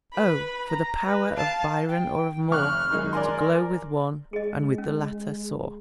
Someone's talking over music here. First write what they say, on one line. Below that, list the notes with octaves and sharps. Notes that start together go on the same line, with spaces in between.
Oh, for the power of Byron or of Moore, To glow with one, and with the latter soar.
B4 B5
A#5
B4
F5 A5
G5
F1 C#6 F6 F#6
F#2 D#3 G#3
A#4 D5 G#5 C6
G#3 G#4 D#5
C#4